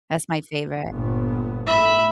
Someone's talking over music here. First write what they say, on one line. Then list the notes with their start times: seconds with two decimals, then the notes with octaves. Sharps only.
That's my favorite.
0.91 G1 A#2 B3
1.67 A2 A3 E5 B5